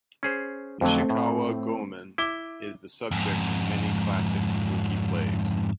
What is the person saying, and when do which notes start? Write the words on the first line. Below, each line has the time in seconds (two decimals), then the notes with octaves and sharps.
Ishikawa Goemon is the subject of many classic kabuki plays.
0.23 C#4 G#4 C5
0.81 F2 D3 F#3 A3 C4
1.10 A2
2.18 E4 D6 G7
3.11 F2 G#2